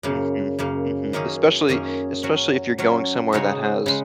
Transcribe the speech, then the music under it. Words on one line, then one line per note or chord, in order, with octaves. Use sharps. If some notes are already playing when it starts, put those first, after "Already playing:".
Mhm. Mhm, especially especially if you're going somewhere that has,
F#2 C#3 A#3
F#2 C#3 A#3
F#2 D#3 A#3 C#4 G#4
F#2 D#3 A#3 C#4 G#4
F#3 C#4 F#4
F#3 C#4 F#4
C#3 G#3 D#4 F#4 C#5
C#3 G#3